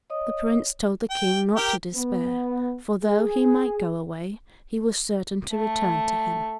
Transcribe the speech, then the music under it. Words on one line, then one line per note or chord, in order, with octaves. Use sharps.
The Prince told the King not to despair, for though he might go away, he was certain to return to him.
C#5 D#5 D#6
G5
G4 A#4 G5
B3
G#4
A3